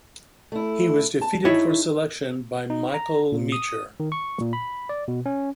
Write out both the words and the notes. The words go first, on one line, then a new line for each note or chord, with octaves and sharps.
He was defeated for selection by Michael Meacher.
A3 E4
A5
D#4 E4 G#4 C#5
D#4
A#5
A#2
D#6
D#3
C#6
A#2
B5
D5
B2
C#4